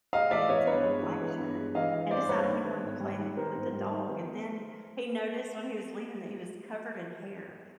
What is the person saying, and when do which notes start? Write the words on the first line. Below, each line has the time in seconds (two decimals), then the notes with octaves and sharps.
pants and a black shirt, and decided he wanted to play the with the dog, and then he noticed when he was leaving that he was covered in hair,
0.13 G#3 D#5 F5
0.31 E3 D5 E5
0.49 B3 C#5 D#5
0.67 G2 B4 C#5
0.85 G#3
1.03 E3
1.21 B3
1.39 G2
1.57 G#3
1.75 E3 D#5 F5
1.93 B3
2.11 G2 C5 D5
2.29 G3 B4 C#5
2.47 D#3
2.65 B3
2.83 G#2
3.00 G3
3.19 D#3
3.37 B3 A#4 C5
3.55 G#2
3.72 G3
3.91 D#3
4.09 B3